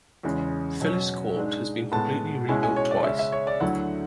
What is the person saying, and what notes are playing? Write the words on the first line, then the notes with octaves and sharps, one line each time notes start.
Phyllis Court has been completely rebuilt twice.
E2 C#3 G#3 C#4 E4
B2 F#3 C#4
G#2 G#3 D4
A2 G#3 B3 A5
B2 G#3 C#4 E4 G#5
G#5
C#5
D5
C#3 G#3 C#4 E5
E5
C#5
D5
D2 D3 F#3 A3 E4 F#5